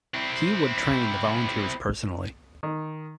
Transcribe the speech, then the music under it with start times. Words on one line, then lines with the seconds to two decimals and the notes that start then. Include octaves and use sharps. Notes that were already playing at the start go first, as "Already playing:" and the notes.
He would train the volunteers personally.
0.14 C4 E4
2.63 D#3